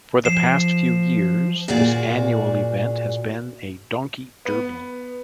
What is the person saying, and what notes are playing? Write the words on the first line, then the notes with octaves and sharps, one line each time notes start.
For the past few years this annual event has been a "Donkey Derby".
F3 C7 E7
A#2 F#4 G#4 D5
B3